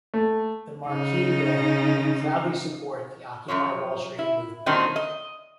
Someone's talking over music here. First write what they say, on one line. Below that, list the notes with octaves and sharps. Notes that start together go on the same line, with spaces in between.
The marquee read We proudly support the Occupy Wall Street Movement.
A3
C#3 D#4
F#2 C3 F3 C#5
E4
A#2 D#3 F#3 C4 D4 D#4
D#5